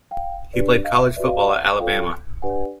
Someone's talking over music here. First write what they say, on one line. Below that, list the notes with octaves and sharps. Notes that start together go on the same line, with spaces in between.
He played college football at Alabama.
F5 G5
D4 G4 B4 D5
D#5 F5
E5
F#4 B4 D5 E5
D#5 F5
D#5 F5
E5 F#5
F4 A4 C#5 F5 G5
D4 G4 B4 D5 F#5 G#5